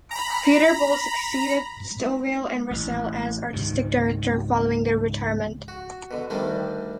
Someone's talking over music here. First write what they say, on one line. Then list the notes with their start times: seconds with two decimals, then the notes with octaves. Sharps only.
Peter Boal succeeded Stowell and Russell as Artistic Director following their retirement.
0.11 A#5 B5
2.71 A1
3.53 C#2 G#2 C3 D#3
5.68 F#4
6.11 B2 D3
6.30 D2 D#3 G3 D4